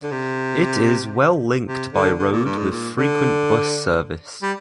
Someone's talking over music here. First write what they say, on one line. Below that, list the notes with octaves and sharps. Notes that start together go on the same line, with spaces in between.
It is well-linked by road with frequent bus service.
D3
C3
C3
D3
D3
A#2
G2
G#2
A#2
D3
G3